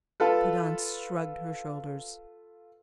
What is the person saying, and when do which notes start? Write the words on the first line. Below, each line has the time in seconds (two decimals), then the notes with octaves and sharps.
Prudence shrugged her shoulders.
0.20 F4 A4 B4